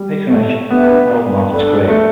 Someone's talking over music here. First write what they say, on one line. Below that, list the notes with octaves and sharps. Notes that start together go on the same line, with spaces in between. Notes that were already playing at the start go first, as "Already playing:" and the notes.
Patronage propelled Martin's career.
Already playing: G3
A3
B3 D4 G4 B4 E5
D4 A4 D5
A3